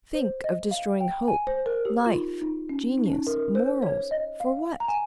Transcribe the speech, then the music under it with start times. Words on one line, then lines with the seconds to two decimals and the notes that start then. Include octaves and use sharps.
Think of destroying hope, life, genius, morals--for what?
0.14 C5
0.44 D#5
0.71 F5
1.01 G5
1.28 G#5
1.47 C5
1.66 A#4
1.85 G4
2.06 F4
2.13 D#4
2.42 D#4
2.69 C#4
2.98 D#4
3.06 C#4
3.13 D#4
3.27 A#4
3.55 C5
3.82 C#5
4.11 D#5
4.40 F5
4.80 A#5
4.88 G#5